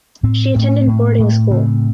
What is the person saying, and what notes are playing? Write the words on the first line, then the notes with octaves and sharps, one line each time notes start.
She attended boarding school.
A2 C4
A2
A2
A2
C#3 C4